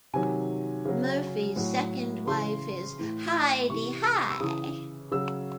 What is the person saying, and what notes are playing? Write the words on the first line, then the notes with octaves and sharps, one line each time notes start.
Murphy's second wife is Hi-de-Hi!
C3 D#3 F#3 G#5
C#3 F#3
A2 F#3
C#3 E3 C6
A2 E3
C3 E3 C#6
E6
C#3 E3 D#6
C#3 F#3 E6